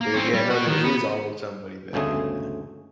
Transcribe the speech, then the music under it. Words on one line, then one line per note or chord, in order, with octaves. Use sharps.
There yeah, no, there is always somebody better, yeah.
A#3
C4 C#4
G3
B3 F#4
D#3
B3
G1 D2 C#3 G#3 A3 G#4